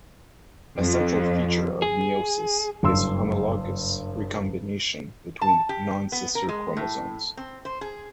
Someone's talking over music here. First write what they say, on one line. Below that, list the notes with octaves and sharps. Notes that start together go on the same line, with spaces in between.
A central feature of meiosis is homologous recombination between non-sister chromosomes.
F2
G#4
F#1 G2 C6 E6
A5
G4
B3
A#4
G#3
A2
C4
C5
G#4